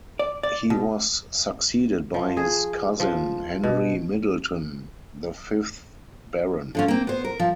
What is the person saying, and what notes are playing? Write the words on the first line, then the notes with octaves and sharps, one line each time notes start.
He was succeeded by his cousin Henry Middleton, the fifth Baron.
D5
D5
B2
F3
G#4
F3
B2
D3 F3 C#4
A#3 C4
B3 C5
A#4
F3